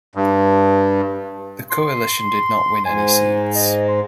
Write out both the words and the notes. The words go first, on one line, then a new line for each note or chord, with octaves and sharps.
The coalition did not win any seats.
G2
C6
G#2 G#5
D#5
C6